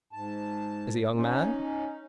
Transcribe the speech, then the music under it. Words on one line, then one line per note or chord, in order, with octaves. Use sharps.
"As a young man?"
G#2 A5
C#4 D#4